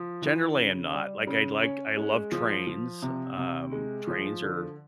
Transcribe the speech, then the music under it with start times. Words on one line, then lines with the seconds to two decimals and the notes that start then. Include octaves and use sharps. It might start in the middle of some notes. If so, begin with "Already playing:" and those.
generally I'm not. Like, I'd like I love trains, um, trains are
Already playing: F3
0.22 E3
0.57 C#3
0.92 G3
1.27 C#3
1.63 C#4
1.97 G#3
2.32 F3
2.67 F3
3.02 C3
3.37 C3
3.72 G#3
4.07 F3
4.42 D3